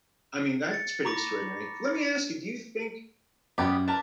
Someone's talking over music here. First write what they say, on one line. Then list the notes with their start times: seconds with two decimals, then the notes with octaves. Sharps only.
I mean that is pretty extraordinary. Let me ask you, do you think
0.71 A6 C#7
1.05 A#5 B5 C#6 D6 A#6
3.58 F#2 G3 B3 G4
3.88 A#4 B4 D5 A5